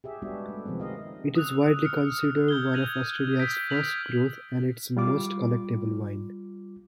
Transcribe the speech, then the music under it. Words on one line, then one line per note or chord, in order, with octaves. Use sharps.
It is widely considered one of Australia's "first growth" and its most collectable wine.
G4 G#4 E5
G3 G#3 B3 D4 F#4
A3
C3 D#3 F3 B3 C4
F4 A#4 D#5 F5
D#6 E6 F#6 F7
F6 C#7
G6 G#6 G7
F#6 G#6 A#6 D#7 F7 F#7
D#6 E6 G6 A#6 B6 D7
F6 G#6 A#6 B6 F7 F#7
G3 F4 D6